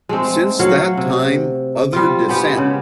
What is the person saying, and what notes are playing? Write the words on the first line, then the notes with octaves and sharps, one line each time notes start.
Since that time other Dissent!
G#3 A3 C4
F#3 F#4 C#5 F5
C3
G3 F4
G#3 B3 G4
C#3